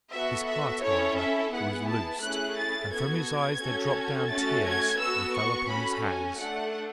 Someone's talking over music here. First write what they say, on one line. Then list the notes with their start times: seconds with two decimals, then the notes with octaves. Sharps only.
His heart, however, was loosed, and from his eyes there dropped down tears and fell upon his hands.
0.13 B3 F#4 A4 E5
0.48 E5
0.82 C#4 E4 A4 C#5
1.17 E5
1.52 B3 E4 G#4 F#5
1.87 A5
2.21 A3 C#4 E4 G#4 F#6
2.57 A6
2.91 B3 F#4 A4 G#6
3.60 C#4 F#4 A4
4.30 A3 C#4 F#4 A4 A6
4.65 G#6
4.99 B3 F#4 A4 E6
5.34 C#6
5.69 C#4 F#4 A4 B5
6.04 G#5
6.38 A3 D4 A4 F#5